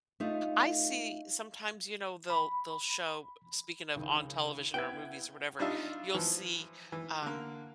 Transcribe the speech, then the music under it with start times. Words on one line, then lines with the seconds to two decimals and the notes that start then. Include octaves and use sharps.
I see sometimes, you know, they'll they'll show speaking of on television or movies or whatever, you'll see, um,
0.20 A3 D#4 F4
2.30 B5
3.96 C#2 D#3
4.74 B3 E4 B4 G5 G#6
5.59 G3 D4 D#4 F4 E5
6.15 E3 F3
6.92 E3
7.22 D3 A#3